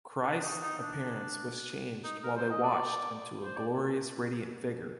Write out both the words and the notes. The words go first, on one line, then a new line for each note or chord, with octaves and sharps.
Christ's appearance was changed while they watched into a glorious radiant figure.
D4
D4
D#4
D#4
D4
D#4
A#4
C5
D#5
D5
C5
D5